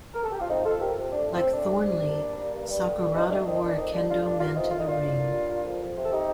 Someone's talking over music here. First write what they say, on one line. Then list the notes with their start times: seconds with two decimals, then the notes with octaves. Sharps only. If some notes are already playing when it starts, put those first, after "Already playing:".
Like Thornley, Sakurada wore a Kendo men to the ring.
0.14 A#4
0.23 A4
0.32 G4
0.41 F4
0.49 F2 C4 D#4
0.65 F2 F4 A4
0.80 F3 G4 A#4
0.96 C3
1.12 A3 D4
1.27 A2 C4
1.43 A2
1.53 D4
1.59 A3
1.74 C3
1.90 C3
2.06 A#3
2.21 G3
2.37 A#3
2.53 G2
2.68 G3
2.84 D3
2.99 G2 D4
3.15 G2 C4 D#4
3.30 A3 D4
3.46 D#3 C4 D#4
3.62 A#3 D4
3.77 F2 C4 D#4
3.93 G3 D4
4.08 D3 D4 F4
4.24 G2 D4
4.40 G2 D4 F4
4.55 A3 C4 D#4
4.71 D#3 F4
4.79 D#4
4.87 A2 D4 F4
5.02 A2
5.18 A#3
5.33 G3
5.49 A#3
5.65 F2
5.80 F3
5.96 C3
6.03 A4
6.12 D#4 G4